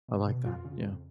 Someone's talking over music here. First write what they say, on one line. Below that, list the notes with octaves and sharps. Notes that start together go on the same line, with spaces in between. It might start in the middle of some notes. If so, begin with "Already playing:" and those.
I like that, yeah.
B2
B2
F2 F4
C#3
F2